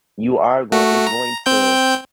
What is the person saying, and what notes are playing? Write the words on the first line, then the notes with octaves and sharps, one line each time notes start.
you are goin it's going to,
A3 F#4
A#5
C4 G5 G6